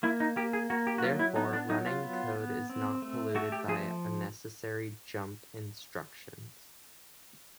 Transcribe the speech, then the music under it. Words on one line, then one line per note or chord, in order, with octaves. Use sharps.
Therefore, running code is not polluted by unnecessary jump instructions.
A#3 E4
D#4
A#3 G4
G#4
A#3 F#4
G4
F#4
F#3 F4
E4
B3 D#4
D4
F#3 D#4
F4
B3
B3
C4
A3
A3 F#4
G4
F3 G#4